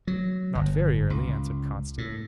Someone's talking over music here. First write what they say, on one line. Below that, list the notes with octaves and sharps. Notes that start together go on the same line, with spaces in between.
"Not very early," answered Constance.
F#3
G1
C#2
A2